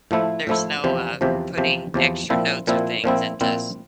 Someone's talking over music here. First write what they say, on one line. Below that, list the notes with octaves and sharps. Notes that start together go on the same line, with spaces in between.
there's no, uh, putting extra notes or things into s
A2 F3 A3 E4
A2 F3 A3 E4
E2 C3 F3
E2 C3 F3
E2 C3 F3
E2 C3 F3
A#2 F3 C4 E4
A#2 F3 C4 E4
A#2 F3 C4 E4
A#2 F3 C4 E4